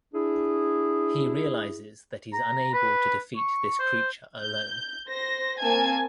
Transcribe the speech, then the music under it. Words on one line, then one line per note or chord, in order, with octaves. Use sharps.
He realizes that he is unable to defeat this creature alone.
D4 E4 G#4
A#5
B4
C#6
C5
G6
C5 A#6
A#3 C4 G#5 A5 G#6